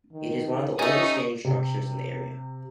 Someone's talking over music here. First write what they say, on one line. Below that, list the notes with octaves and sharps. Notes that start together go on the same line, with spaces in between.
It is one of the oldest standing structures in the area.
D#3
A3 C#4 D#4 G4 G#5 C#6 D#6
C3